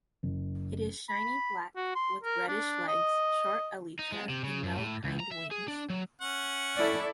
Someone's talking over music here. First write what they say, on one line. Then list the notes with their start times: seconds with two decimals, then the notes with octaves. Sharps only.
It is shiny black with reddish legs, short elytra and no hind wings.
0.23 F#1
1.09 B5
1.76 F#4
1.95 C6
2.24 A#4
2.48 D4
2.88 D#5
3.99 D#4
4.12 G#3
4.30 C3
4.44 C#3
4.63 F#2
4.76 A2
5.04 C#2
5.20 A#5
5.31 E5
5.51 G#4
5.68 D4
5.90 F#3
6.21 C#4 F#5 C#6
6.77 E4 A4 D5